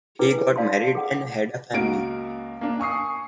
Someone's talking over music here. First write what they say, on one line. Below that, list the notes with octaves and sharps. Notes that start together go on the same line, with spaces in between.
He got married and had a family.
D4 E4 G#4 B4
D#4 D5 F5 A5 C6
G#4 F#5
C#2 A#3 F#4 F5 D7
A#3 D4
G#5 C#6 D#6 C7